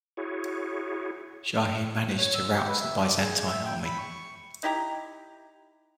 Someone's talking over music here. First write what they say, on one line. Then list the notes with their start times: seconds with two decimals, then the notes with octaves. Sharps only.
Shahin managed to rout the Byzantine army.
0.17 E4 F#4 G#4 C#5
2.18 C#5
2.34 E6
2.55 G4
2.67 B4
2.81 E5
3.03 D5
3.20 G#4
3.47 E5
3.65 G5
3.85 B5
3.98 C#6
4.63 D#4 E4 G4 A#5